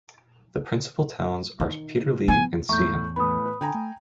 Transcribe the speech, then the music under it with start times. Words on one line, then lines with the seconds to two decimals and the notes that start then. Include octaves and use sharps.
The principal towns are Peterlee and Seaham.
1.60 D#3
2.28 F3 B3 G#5
2.69 E2 A2 A3 E5 A#5 C#6 G6
3.16 A2 E3 B3 B5 D#6
3.46 B4
3.61 D3 G5 G#5 A#5
3.74 A3